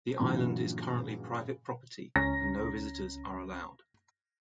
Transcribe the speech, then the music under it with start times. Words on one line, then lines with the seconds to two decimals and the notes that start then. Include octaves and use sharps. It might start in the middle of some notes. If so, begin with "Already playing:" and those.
The island is currently private property and no visitors are allowed.
0.20 G2 A#2 C#3 E3 F#3
2.16 C#2 C#4 A#5 A#6